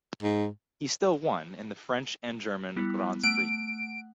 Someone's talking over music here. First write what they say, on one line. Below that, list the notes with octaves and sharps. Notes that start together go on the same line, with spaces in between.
He still won in the French and German Grands Prix.
G#2
G3 B3 E4
A3 F#5 F#6 D7